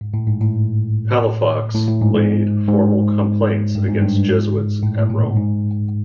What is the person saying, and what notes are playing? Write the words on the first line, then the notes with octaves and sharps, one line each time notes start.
Palafox laid formal complaints against Jesuits at Rome.
G#2
A2
G#2
A2
A2
A2
G#2
G#2
G#2
G2
G#2
G2
G2
G#2
A2
A2
A#2
G#2